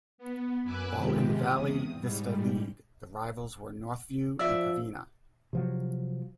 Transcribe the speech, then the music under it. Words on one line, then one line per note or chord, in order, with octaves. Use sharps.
While in the Valle Vista League, the rivals were Northview and Covina.
B3
F#2 B4 G#5 D6 E6 F#6
G#2 C3 D#3 F3 G#3 G4
E2 C3 D#6
G#2 G3
F3 D5 E5 E6
C3 F3 F#3